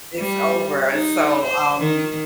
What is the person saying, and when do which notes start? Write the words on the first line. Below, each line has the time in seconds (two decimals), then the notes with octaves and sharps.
it's over. So, um,
0.18 G3
0.92 D#4
1.43 C5
1.78 D#3